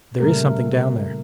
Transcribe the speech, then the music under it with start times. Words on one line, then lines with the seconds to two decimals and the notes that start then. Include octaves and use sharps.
"There is something down there."
0.20 A#2 C#3 G3 A3 A#3 A#4